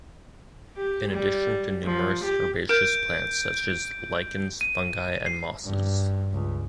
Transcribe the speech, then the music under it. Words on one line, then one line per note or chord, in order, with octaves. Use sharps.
In addition to numerous herbaceous plants such as lichens, fungi and mosses.
G4
G3
F3
G4
A#4 G6 D7
D#7
C7
G2
C#2